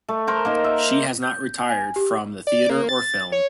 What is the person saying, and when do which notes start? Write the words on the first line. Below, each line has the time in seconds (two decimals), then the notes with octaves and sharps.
She has not retired from the theater or film.
0.09 A3
0.27 A#4 C5 A#5
0.45 A#3 D#4
0.64 E5
1.23 G6
1.69 G#5
1.96 G4
2.47 D5
2.70 A#3
2.89 A6
3.32 C#5